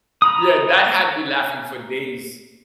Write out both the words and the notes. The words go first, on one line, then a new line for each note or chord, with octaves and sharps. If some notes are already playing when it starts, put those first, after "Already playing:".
yeah, that had me laughing for days.
A#5 B5 D#6